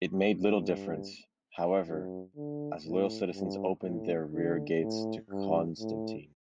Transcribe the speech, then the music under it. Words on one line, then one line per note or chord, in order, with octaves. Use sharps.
It made little difference, however, as loyal citizens opened the rear gates to Constantine.
G2
F#2
D3
A2
G2
A2
D3
A2
G2
A2